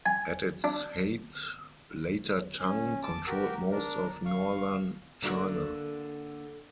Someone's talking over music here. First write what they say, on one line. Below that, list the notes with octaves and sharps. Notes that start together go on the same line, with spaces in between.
At its height, Later Tang controlled most of northern China.
G#5
D4
C#4
A5 D6
F#4 G4 A#4
D4 A#4
F5 C#6
D3 A#3 F#4